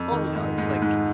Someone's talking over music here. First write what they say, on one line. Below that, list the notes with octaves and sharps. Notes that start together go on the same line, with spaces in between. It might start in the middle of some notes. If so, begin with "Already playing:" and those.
Well, you know, it's like
Already playing: F2
D#3
G#2
G#2
G#2